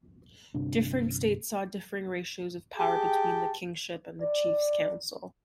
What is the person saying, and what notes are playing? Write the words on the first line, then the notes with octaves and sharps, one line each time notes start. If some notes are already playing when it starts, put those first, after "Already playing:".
Different states saw differing ratios of power between the kingship and the chiefs' council.
G1 C2 C3 D4
G4 G#4 G5 A5
D5